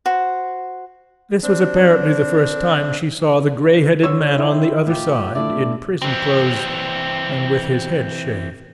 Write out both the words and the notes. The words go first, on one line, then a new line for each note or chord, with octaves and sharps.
This was apparently the first time she saw the greyheaded man on the other side in prison clothes, and with his head shaved.
F#4 C5
C4 D4
D3 C#5 E6
C4 D#4 E4
A2 F4 G4
A3 D4 E4 D5
E3 C4